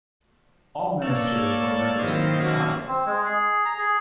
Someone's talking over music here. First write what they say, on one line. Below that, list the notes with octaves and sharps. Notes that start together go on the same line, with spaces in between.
All ministers were members of the Cabinet.
A#3 A4 C#5 D5 E6
D#3 F#3 C4 E4 C5 D#5 F5
A#3 C#4 F#4 E5
C4
G#3
G#4
A#5
G#4